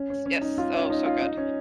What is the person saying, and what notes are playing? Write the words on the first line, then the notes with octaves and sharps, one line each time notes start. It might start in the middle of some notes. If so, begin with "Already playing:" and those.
yes. Oh, so good.
Already playing: C#4
C#4
C#4
D#4
F4
C#4
D#4
F4
D#4
C#4